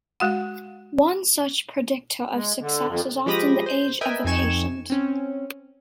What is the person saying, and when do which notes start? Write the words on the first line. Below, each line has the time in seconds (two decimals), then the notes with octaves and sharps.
One such predictor of success is often the age of the patient.
0.20 G#3 F#4 F#5
2.34 G#3
2.60 D3
2.87 F2
3.26 F3 G#3 G4 B5 D#6 A#6
3.66 C5 G6
4.01 A#4 B4 D#5 E5 G5 G#5
4.24 F2 C4 D#4 G#5 C#6 E7
4.90 C4 C#4